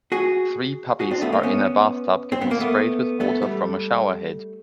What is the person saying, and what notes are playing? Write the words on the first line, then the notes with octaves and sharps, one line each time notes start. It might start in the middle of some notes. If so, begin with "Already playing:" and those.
Three puppies are in a bathtub getting sprayed with water from a showerhead.
F#4 G#4
F#4 G#4
C4 D4
A3 B3
A#3 C4
B3 C#4
C4
B3
A#3
A3 B3
A3 B3
G3 A3